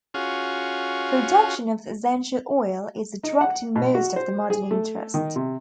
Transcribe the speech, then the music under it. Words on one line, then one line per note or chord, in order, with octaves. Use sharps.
Production of essential oil is attracting most of the modern interest.
C#4 F4 F#4 G#4
D#4
F#5
B2
F#4
C5
G#4
A3
D#3
C3